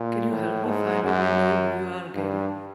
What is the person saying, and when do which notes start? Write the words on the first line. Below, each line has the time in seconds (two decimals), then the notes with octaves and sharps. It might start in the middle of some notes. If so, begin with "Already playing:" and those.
Can you help me find the We No Who U R game?
Already playing: A#2
0.30 A2
0.66 G#2
1.04 F#2
2.15 G2